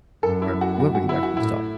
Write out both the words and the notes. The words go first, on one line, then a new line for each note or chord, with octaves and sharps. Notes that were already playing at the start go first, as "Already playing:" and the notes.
or whoever you referenced, sorry.
F#2 A4
E4
F#4
F#4
F#4
E4
F#4
A2 E4